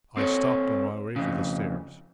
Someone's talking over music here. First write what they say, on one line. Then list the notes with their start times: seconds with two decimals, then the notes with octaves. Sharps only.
I stopped on my way to the stairs.
0.17 C4 A4 C#5
1.16 F2 C#3